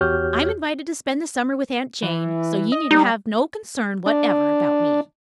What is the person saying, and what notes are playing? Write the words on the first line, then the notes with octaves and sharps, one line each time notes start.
"I am invited to spend the summer with Aunt Jane, so you need have no concern whatever about me."
E2 F#4 G4 C#5 F6 G6
E3
D#5
G3 D#4
D4